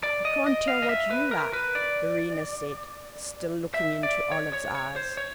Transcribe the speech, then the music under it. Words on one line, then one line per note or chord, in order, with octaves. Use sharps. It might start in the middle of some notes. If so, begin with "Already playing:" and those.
"I can't tell what you like," Verena said, still looking into Olive's eyes.
D5
D#5
D#5
F5
D#5
E5
B4
A#4
B4
D5
E5
D5
C#5
C#5
C#5
C5
C#5